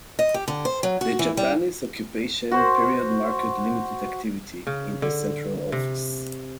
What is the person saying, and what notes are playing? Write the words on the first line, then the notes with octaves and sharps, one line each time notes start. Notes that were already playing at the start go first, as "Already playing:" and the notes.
The Japanese occupation period marked limited activity in the Central Office.
D#5
G4
D3
C5
F#3
F#4
E3
G3
F#4 C5
C#3
D3
C3